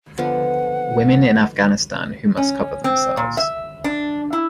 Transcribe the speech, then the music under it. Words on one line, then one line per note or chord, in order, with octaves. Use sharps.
Women in Afghanistan who must cover themselves.
D3 F3 B3 F#5
C#4
C4
A#2
E5
D4
E4